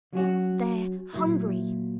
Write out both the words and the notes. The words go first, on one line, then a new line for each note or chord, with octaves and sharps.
"They're HUNGRY!"
F#3 C#4 F#4
A#2 F#3 A#3 E4